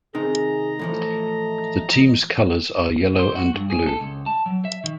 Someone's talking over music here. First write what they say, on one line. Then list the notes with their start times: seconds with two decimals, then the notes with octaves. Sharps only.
The team's colours are yellow and blue.
0.15 C3 D#3 G#4 D#5 A#5
0.79 A2 E3 F3 A3
3.19 C5
3.35 F#4
3.54 G2
3.70 G#4
3.87 A4
4.00 C#2
4.26 A5
4.46 F#3
4.65 E5
4.84 D#3